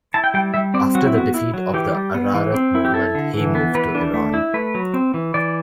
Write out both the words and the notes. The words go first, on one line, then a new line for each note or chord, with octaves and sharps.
After the defeat of the Ararat movement, he moved to Iran.
E4 A5
G5
G3 G5
G3 E5
C4 D5
F#3 F#4
E4
B3 F#4
E4
F#3
E3 G4
G3
B3
E3
C4
E4
G4
E4 A4
D3
E3
B3
E3 B4
D4
A3
E4
A3 B4
F#3
C4
E3
E3 D5